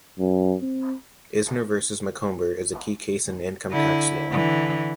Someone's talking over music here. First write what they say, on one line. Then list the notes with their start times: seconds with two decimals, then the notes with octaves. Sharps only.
"Eisner versus Macomber" is a key case in income tax law.
0.19 F#2
0.61 C4
3.70 D3 E4
4.31 D3 E3